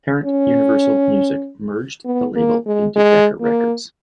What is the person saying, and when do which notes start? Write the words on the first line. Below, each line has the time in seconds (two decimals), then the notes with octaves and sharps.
Parent Universal Music merged the label into Decca Records.
0.24 C#4
2.05 B3
2.36 A#3
2.66 G#3
2.96 G#3
3.41 A#3